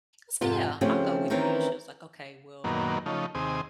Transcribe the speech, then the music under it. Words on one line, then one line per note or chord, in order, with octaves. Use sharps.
I said, "Yeah. I'll go with you," and she was like, "Okay. We'll
F2 G#2 C3 F4
C#3 F3 A3 C4 C#4 G4
D#3 E3 C4 C#4 A#4
F#2 A#2 D#3 F#3 A#3 B3
C#3 F3 A3 D#4
D#2 C3 C4 G#4 D#6